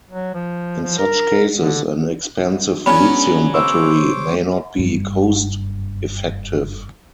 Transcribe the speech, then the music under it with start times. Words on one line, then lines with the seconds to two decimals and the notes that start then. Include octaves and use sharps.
In such cases, an expensive lithium battery may not be cost-effective.
0.10 F#3
0.34 F3
0.83 F3
0.99 A#4
1.58 D3
2.86 F#3 B3 C#4 D4 G#4 B5
3.54 C5 C#5 D6 E6
4.78 F#1 G2